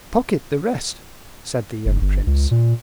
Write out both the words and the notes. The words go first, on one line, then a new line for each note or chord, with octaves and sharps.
"Pocket the rest," said the young prince.
F#1
G1
C#2
A#2